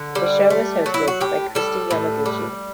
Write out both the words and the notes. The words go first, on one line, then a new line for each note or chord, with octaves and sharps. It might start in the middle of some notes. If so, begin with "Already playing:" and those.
The show was hosted by Kristi Yamaguchi.
Already playing: D3
G3
A3
F#3
E4
F#4
A2 G4
G3 A4
A2
G3